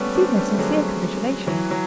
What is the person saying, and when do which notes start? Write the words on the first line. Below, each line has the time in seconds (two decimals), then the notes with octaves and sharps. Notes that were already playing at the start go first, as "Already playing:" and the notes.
"Receive my sincere congratulation."
Already playing: G3 A3 B3 C#4
0.15 C4 D4
0.37 G3 A3
0.50 A3
0.58 F#3 G#3
1.47 E3 F#3
1.71 F#3